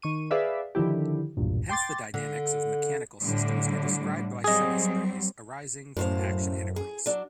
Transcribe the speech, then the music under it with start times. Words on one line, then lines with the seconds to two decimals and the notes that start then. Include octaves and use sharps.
Hence the dynamics of mechanical systems are described by semisprays arising from action integrals.
0.02 D#3 C#6 D#7
0.31 G#4 B4 D5 E5 F5
0.75 D3 D#3 F3 E4 G4
1.37 B1 E2 G2 A#2
1.69 G5 C6 D6 A6
2.14 D3
3.22 A2 D3 G3
4.44 F#3 G3 C4 G#4 D#5
5.97 F#2 A2 C5 F5
6.76 G#4
7.06 F#3 D4